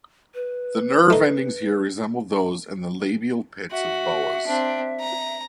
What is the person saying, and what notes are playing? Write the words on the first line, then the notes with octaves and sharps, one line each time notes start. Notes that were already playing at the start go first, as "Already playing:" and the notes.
The nerve endings here resemble those in the labial pits of boas.
B4
A3 D#4
F#4 E5
C4 D4
A#5